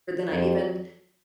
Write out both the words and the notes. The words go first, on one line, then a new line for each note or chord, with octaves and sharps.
Then I even
F2